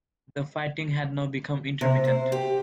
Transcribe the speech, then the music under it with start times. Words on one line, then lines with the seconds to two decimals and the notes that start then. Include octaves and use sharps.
The fighting had now become intermittent.
1.81 C3
2.05 C5
2.32 G4